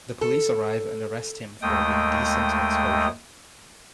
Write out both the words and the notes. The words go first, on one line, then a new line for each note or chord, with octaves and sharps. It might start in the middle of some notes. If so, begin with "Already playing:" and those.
The police arrive and arrest him for indecent exposure.
A4
D#2 G#3 A3 G5 D#6